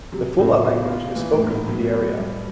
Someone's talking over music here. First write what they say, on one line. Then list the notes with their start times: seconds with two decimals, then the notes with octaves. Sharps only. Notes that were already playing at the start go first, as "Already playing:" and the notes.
The Fula language is spoken in the area.
0.12 C3 F#3
0.39 A2 C#3
0.64 B2 F4
0.90 F4
1.15 A#2 E3
1.33 A2
1.42 G#2
1.50 A2
1.68 B2 F#3
1.94 F#3
2.20 G3